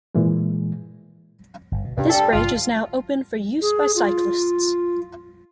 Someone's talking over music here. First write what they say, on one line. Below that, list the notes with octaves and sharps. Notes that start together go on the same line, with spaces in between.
This bridge is now open for use by cyclists.
A#2 E3 G#3
G1
B2
G2 C3 C#4 D4
G3 D4 G4 A4
G1 C3 F4
G#4
F4